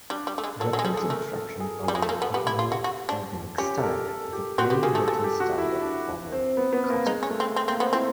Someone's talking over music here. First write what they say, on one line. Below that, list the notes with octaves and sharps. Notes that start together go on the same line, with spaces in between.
Weapons instruction followed a more organic style, with very little study of formal kata.
G3 D4
G3
A3
G#3
F#3 A4
F#3
G#3 G#4
G3
G#3 A4
A3 A#4
A4
G#4
G3 G#4
G#3
A3
A#3 A4
B3
B3 G4
E4
F4
F#4
F#4
D4
C#4 G4
A4
A#4
A4
G4
C4 F#4
B3 G4
A#3 G#4
A3 A4
A3 A4
G4
F#4
E4
D4
C4
B3
B3
A#3
G#3 D#4
C#4
A3
C4
C4
A#3 C4
B3 C4
C4 E4